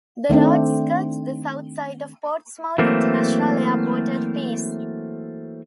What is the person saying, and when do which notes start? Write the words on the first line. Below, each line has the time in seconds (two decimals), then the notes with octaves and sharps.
The road skirts the south side of Portsmouth International Airport at Pease.
0.29 D#3 A3 C4 D4
2.78 E3 F#3 A3 A#3 C4